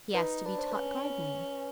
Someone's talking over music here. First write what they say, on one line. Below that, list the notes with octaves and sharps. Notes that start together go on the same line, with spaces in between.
He asked to be taught gardening.
D#4 B4
D4 B4
C5
C#4 B4